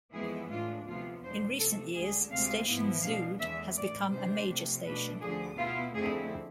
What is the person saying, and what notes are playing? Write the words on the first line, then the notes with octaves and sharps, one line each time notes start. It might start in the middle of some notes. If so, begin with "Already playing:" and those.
In recent years Station Zuid has become a major station.
F2 E3 G#3 B3 E4 G#4
A2 G#3 D4 F4
D2 C3 F3 B3 F4
E2 B2 G#3 D4 C5
C3 F3 A3 A4
D2 D3 G#3 G#4
D2 C3 G#3 C4 F5
G#2 F3 B3 E4
B2 G#3 D4 F5
E2 D3 G#3 E5
A2 E3 G#3 D5
C3 E3 G#3 D4 C5
C3 F3 A3
B2 A3 D4 B4
D2 D3 F3 G#4
B2 B3 E4 F4
F2 D3 A3 C4 E4 G#4